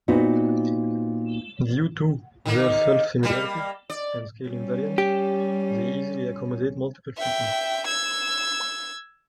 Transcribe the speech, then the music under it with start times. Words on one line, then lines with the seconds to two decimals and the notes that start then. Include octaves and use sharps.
Due to their self-similarity and scale invariance, they easily accommodate multiple frequencies.
0.08 A#2 B3 C4 D#4 F#4
2.46 D#3 A#3
3.23 G3 A#3
3.90 D5
4.49 G3 C#4
4.98 G4
7.17 E5 G5
7.87 E6 G#6